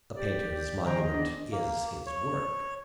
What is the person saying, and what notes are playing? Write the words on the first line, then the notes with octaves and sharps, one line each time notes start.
A painter's monument is his work.
G4 D5
G2 D#3 C5 G5 G#5 A#5
E2 D#5
D4
A#3
C#5